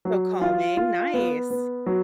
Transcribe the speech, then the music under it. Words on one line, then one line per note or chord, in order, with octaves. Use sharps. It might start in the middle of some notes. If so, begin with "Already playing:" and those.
So calming, nice.
F#3
F4
F4
B3
B3
F#3